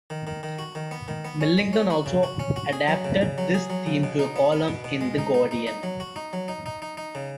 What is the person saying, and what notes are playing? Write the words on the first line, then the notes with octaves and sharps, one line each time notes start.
Millington also adapted this theme to a column in "The Guardian".
D#3
D#3
D#3
F#4
D#3
B3
D#3
B3
C#4
G#3
C#4
F#4
C#3
F#4
C#4
F#4
G#4
F#3
C#3
C#3
F#3
G#4
F#3
C#3
B2
D#4
B3
B3
B2
B2
G#3
D#4
D#4
D#4
D#4
F#3
F#4
D#4
F#3
D#4
D#4
D#4
D#4
C#3